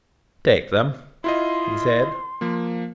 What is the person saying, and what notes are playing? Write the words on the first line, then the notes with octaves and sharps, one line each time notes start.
"Take them," he said.
E4 F4 D#5 C6
F3 A#3